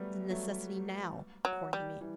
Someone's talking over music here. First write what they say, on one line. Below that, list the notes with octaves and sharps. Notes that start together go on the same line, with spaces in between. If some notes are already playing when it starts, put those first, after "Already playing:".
It's a necessity now, according to me.
Already playing: F#3 G3 A3 B3
F#3 A3
F#3
G3
E3 G3